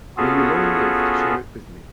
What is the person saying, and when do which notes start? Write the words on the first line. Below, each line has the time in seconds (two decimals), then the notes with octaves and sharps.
May you long live to share it with me!
0.17 B3 C#4 F4 F#4 G#4 A4